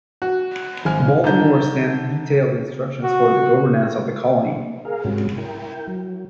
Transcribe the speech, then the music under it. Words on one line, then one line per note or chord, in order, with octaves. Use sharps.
Baltimore sent detailed instructions for the governance of the colony.
F#4
G#1 G#5 F6
D3 D#4 G6
F#4
G#4 A#4 F5
G#2 C3 G3 G#3 C#4 F#4
E4 A#4 G5
F#3